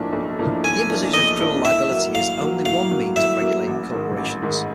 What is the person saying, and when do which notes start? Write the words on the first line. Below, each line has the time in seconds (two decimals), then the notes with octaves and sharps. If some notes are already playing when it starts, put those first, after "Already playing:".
The imposition of criminal liability is only one means of regulating corporations.
Already playing: B1 A2 F3 A#3 D4
0.13 B1
0.39 A2 F3 A#3 D4
0.64 B1 G#5
0.89 A2 F3 A#3 D4
1.14 B1 D#5
1.39 A2 F3 A#3 D4
1.65 A2 E5
1.90 F#3 A#3
2.15 A2 F5
2.41 F#3 A#3
2.65 A2 F5
2.91 F#3 A#3
3.16 A2 E5
3.42 F#3 A#3
3.67 A1
3.92 G#2 D#3
4.17 A1
4.42 G#2 D#3